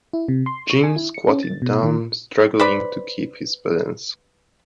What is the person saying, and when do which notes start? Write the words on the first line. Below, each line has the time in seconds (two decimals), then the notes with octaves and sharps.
Jim squatted down, struggling to keep his balance.
0.13 E4
0.28 C3
0.46 C6
0.70 C#6
0.84 G#5
0.96 E4
1.14 C#7
1.28 C#4
1.43 A6
1.62 B2
1.83 D#3
2.60 B4 C5 D5 B5